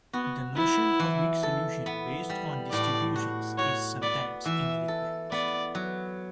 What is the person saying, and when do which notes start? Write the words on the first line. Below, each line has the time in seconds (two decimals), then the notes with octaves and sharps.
The notion of weak solution based on distributions is sometimes inadequate.
0.13 B3 F#4
0.56 B3 E4
1.00 E3
1.43 A4
1.86 B3
2.30 G3
2.72 A2 D5
3.16 F#4
3.58 F#4 C#5
4.03 B3 D5
4.45 E3 E5
4.88 A4
5.32 B3 D5
5.75 F#3